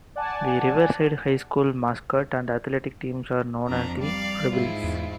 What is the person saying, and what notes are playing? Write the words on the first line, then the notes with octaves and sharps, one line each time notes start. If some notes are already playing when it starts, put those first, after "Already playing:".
The Riverside High School mascot and athletic teams are known as "the Rebels".
D5 F#5 G#5 A5
F2 D4 A#5
G3 D5 F5
G#2 E4 F4
E2